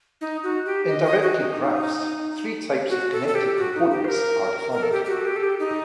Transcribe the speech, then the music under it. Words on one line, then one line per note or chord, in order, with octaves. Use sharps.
In directed graphs, three types of connected components are defined.
D#4
F#4
G4
D#5
D#5
F#4
D#4
F#4
A4
A4
G4
F#4
D#4
G4
C5
A#4
A#4
A4
G4
G4
F#4
A4
G4
A4
G4
D#4